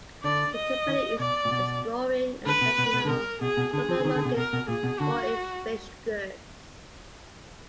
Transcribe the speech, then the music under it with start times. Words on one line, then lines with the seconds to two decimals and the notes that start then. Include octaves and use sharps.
The company is exploring additional global markets for its fish goods.
0.23 D3 D5
0.56 D#5
0.88 D#3
1.19 B2 D5
1.45 A#2
1.51 B2
2.46 D3 B4
2.61 B2
2.78 B2
2.93 B2
3.05 D3
3.09 B2 A#4
3.41 B2 G#4
3.57 B2
3.73 D3 G#4
3.89 F3
4.00 D3
4.05 D#3
4.16 D3
4.25 B2
4.36 B2 A#4
4.53 B2
4.68 A#2 G#4
4.83 B2
5.00 D3 F#4